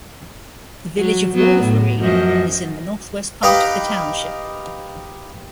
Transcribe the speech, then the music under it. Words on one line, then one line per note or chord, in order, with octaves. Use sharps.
The village of Wolverine is in the northwest part of the township.
F#3
F#3 B3
A2
F#2 F3 D#5
D#4 G4 B4 D#5 F5